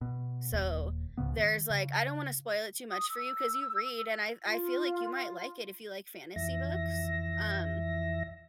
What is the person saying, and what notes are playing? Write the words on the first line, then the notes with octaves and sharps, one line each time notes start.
so, there's, like I don't wanna spoil it too much for you 'cause you read, and I I feel like you might like it if you like fantasy books, um,
B2
D#1 D#2
C#2 G#2 C#3 B3
D#3
C#3
D#6
E6
F4
F2 E3 E5 A#6